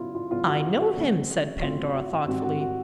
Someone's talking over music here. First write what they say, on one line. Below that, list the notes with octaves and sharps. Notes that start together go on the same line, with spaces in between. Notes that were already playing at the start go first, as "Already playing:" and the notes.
"I know him," said Pandora, thoughtfully.
Already playing: C#3 F#3 B3 E4 F4
F4
C#3 F#3 B3 F4
F#4
F#4
C#3 F#3 A3 C4
C#3 F#3 A3 C4 F4
F#4
G#2 D#3 G3 C4 F#4
F#4
F#4